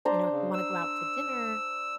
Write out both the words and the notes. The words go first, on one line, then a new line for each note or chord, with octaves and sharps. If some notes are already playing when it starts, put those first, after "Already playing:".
"You know, if you wanna go out to dinner"
D4 C5 A#5
C#3
E6